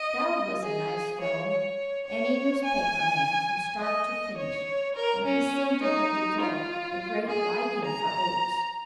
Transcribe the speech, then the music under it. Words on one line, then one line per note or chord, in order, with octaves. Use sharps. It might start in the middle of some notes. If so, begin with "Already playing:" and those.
Dowd was a nice fellow, and a newspaper man from start to finish, and he seemed to have developed a great liking for Oakes.
Already playing: D#5
G#4
C#5
C#5
C#5
G#5
D#5
C#5
A#4
C#4
D#4
F4
G#4
A#5